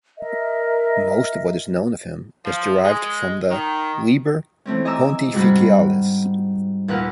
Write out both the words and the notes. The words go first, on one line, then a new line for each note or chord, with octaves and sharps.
Most of what is known of him is derived from the "Liber Pontificalis".
A#4 D#5 E5
F3
G#3
D#3
E3 A3 C4 C#4
D#5 G#5 A#5 D6 E6
G#2 C3 G3 F#4 F#5 B5
B5
D#2 A#2 B4 F#5 F6